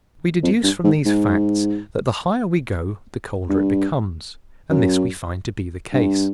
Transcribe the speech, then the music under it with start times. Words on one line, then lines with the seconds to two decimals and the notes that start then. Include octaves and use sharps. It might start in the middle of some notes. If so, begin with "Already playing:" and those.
We deduce from these facts that the higher we go the colder it becomes; and this we find to be the case.
0.43 F2
0.63 G2
0.84 G#2
1.05 G#2
3.49 G2
4.71 F#2
5.93 G2